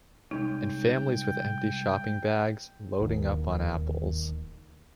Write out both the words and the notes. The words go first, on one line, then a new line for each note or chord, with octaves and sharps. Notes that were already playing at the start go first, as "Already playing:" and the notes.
And families with empty shopping bags, loading up on apples.
C2 G#3 C#4 D#4 G5
D1 D#2 D#3